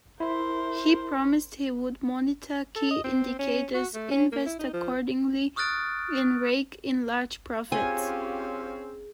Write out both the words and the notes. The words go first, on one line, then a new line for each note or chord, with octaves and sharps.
He promised he would monitor "key indicators", invest accordingly, and rake in large profits.
E4 A#4 C5 E5
A4
D#5
C4
C#4
F#4
A3
C#4
A#3
E4
D#4
F3
C#6 D#6 F6 F#6 A6 D7
C4 C#4 F4 G4 G#4 G#5